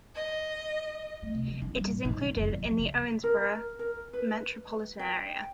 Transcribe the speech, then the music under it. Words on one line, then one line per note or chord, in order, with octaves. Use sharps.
It is included in the Owensboro metropolitan area.
D#5
A3
C3
A3
D4
G3
A2
G#2
G#3
F#1
F#3
F3
C#3
A#4
A#4
B4
G5